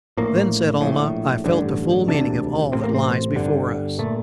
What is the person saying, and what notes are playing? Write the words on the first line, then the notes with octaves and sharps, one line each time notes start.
"Then," said Almah, "I felt the full meaning of all that lies before us."
A#1 A2 A#3
A#1 A2
A1 G2 D3
E1 D2 C3 D4
A1 A2 C4
A#3
C4
G1 G2 D3
A#2 A3